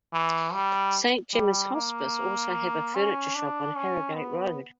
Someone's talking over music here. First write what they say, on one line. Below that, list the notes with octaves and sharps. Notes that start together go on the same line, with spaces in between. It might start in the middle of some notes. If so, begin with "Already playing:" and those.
Saint Gemmas Hospice also have a furniture shop on Harrogate Road.
E3
G3
G3
A#3
C#4
D4
C#4
B3